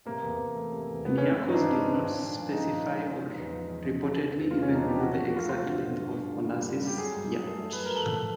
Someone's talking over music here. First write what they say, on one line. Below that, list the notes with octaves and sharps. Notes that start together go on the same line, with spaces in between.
Niarchos did not specify or reportedly even know the exact length of Onassis's yacht.
C3 A#3
E2
E2
A3
C3
E2
E3 B3
C#4
G#3
B3
G2 C4
D#4
G2 D4
G#3
E3
A#2
A#2
F3
F3 D#4
A#2
G#3
C#3
C#3
E2
F3
C#3
F3
C3
F3
E2
G#3 F4
C#4
E2 D#4
D4
F3 G4
A3 F#4
F#4
F2
F#4
F#3 F4
A3 F4
D3
D3
G2
G2
D3
G3
D3
G3
G4
F#3 G#4
F#2
F#3
A3
F#3
B4
A3
A#4
F3 A4
F3